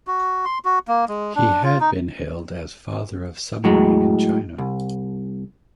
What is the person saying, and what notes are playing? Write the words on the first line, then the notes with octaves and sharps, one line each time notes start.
He had been hailed as "father of submarine in China".
F#4
C6
F#4
A#3
G#3
D4
F4
D#4
A2 F#3 G#3
C2